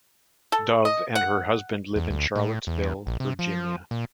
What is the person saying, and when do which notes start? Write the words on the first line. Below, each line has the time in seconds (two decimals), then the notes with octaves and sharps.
Dove and her husband live in Charlottesville, Virginia.
0.52 A4
0.85 D#5
1.15 F#5
1.96 E2
2.10 D2
2.36 A2
2.67 E2
3.07 A#1
3.20 C3
3.39 F3
3.91 A#2